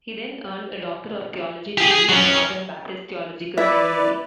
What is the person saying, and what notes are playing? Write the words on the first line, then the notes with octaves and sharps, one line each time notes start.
He then earned a Doctor of Theology degree from Northern Baptist Theological Seminary.
G4 G#4
G#4
F#3 C#4
E4 B4 D5 E5